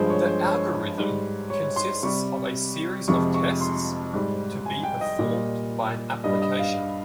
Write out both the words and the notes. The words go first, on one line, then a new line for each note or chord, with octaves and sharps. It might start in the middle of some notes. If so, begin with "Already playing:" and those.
The algorithm consists of a series of tests to be performed by an application.
Already playing: G2 F3 G#3 C5
C#5
C5
C#5
G#2 G3
C#5
C6
C3 G3 C#6
F2 C3 F3 G#3 C#6
C#6
C6
G#2 G3
G#5
G5
D#5
A#2 G3
G2 G3 D#5
D#5
F5